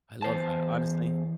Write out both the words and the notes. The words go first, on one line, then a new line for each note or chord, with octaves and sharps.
I love that, honestly.
E2 C5 A5